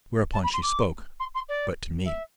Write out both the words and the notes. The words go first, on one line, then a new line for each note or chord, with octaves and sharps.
Whereupon she spoke, but to me.
A5
B5
C6
D6
C6
C6
D5
E5